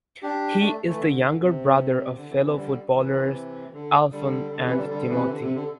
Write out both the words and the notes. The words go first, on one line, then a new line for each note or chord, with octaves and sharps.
He is the younger brother of fellow footballers Alfons and Timothy.
D4 G4
A3 D4
E3 A3
D3
C3
D3
C3 E3
C3 E3
D3 G3
C3 E3
D3
D3 G3
D3
C3 E3
D3 G3
D3 G3
C3 E3
D3
C3
D3